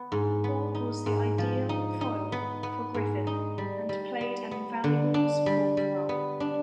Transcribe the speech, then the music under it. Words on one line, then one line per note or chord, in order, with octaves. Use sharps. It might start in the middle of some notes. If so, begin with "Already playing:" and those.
Hall was "the ideal foil" for Griffith and played an invaluable support role.
Already playing: B3
G#2
B3
D#4
G#2
F3
D#4
D#4
B3
B3
G#2
D#4
G3
G3
B3
B3
D3
D4
G3
G3
B3
D4